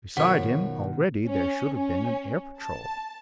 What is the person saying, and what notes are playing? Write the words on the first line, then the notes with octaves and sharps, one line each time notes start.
Beside him, already, there should have been an air patrol.
F#2 B2 D#3 F3 C#5 F#5
C#4
C#4
A5